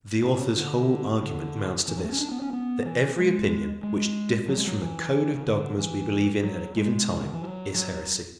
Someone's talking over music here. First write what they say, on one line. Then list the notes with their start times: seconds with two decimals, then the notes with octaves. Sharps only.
The author's whole argument amounts to this: that every opinion which differs from the code of dogmas we believe in at a given time, is heresy.
0.25 C#3
0.57 D3
1.23 D3
1.88 E3
1.96 F#3
2.04 A3
2.12 C#4
2.20 D4
2.31 B3
2.42 C#4
2.53 B3
2.85 E3
3.18 G#3
3.83 G#3
4.48 F#3
4.57 G#3
4.67 F#3
4.82 E3
5.35 C#3
5.46 D3
5.79 E3
6.44 F#3
6.77 G#3
7.08 B2
7.16 C#3
7.25 D3
7.34 E3
7.41 F#3
7.75 F#3